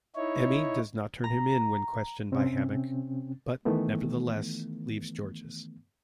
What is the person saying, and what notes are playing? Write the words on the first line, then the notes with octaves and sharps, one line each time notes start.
Emmy does not turn him in when questioned by Hammock, but nevertheless leaves Georges.
D#4 E4 C#5
A#5
C3 C4 C#4
D#3 E3 A3 B3